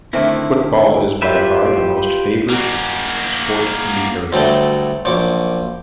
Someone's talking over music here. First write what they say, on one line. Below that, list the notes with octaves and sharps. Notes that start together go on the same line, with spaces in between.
Football is by far the most favoured sport in the area.
D3 D#3 A3 C4 E4
F4 G4 B4 E5
A#3 F#4
D2 F#3 G3 A3
A#1 F#2 C#6 D6